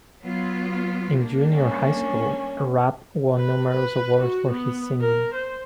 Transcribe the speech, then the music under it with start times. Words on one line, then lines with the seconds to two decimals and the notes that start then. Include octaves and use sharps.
In junior high school, Rapp won numerous awards for his singing.
0.21 F#3 B3 F4
1.16 G3 A#3 D4
1.54 C#4
3.37 B4
3.71 B4
4.21 F#4
4.50 B3
5.01 A#4
5.34 C5